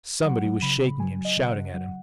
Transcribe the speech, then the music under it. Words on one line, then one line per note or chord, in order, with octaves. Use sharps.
Somebody was shaking him, shouting at him.
F#3 F#5
F#3
C#3 B5
C#3
F#3 G#5
F#3
D#5
C#3
F#5
C#3
F#3